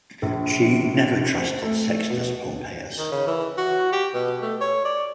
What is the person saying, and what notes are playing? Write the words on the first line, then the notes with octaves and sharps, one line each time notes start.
She never trusted Sextus Pompeius.
A#1
C4
A3
B2
D#3
C#3
E3
F#4
G4
B2
A3
C#5
D5